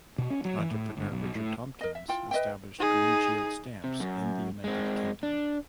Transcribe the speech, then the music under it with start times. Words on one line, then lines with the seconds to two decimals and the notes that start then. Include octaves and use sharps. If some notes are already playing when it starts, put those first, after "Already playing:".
Entrepreneur Richard Tompkins established Green Shield Stamps in the United Kingdom.
0.18 B2
0.30 C#4
0.45 F#3
0.59 E3
0.71 A2
0.97 G1
1.12 B1
1.35 A2
1.81 A#4 D#5
1.95 E5
2.08 E4 F4 G5
2.31 B4 D#5 E5 G5
2.79 D#4 G#4
3.84 C3
4.00 F#2
4.64 G#3 C4
5.23 D4